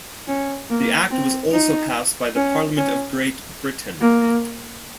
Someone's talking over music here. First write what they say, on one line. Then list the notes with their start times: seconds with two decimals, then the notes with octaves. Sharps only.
The act was also passed by the Parliament of Great Britain.
0.28 C#4
0.70 A#3
1.11 C4
1.52 D#4
2.35 C#4
2.77 C#4
4.01 A#3